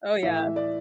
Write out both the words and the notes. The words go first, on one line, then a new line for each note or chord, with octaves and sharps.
Oh, yeah,
A2 E3 E5
E5
D5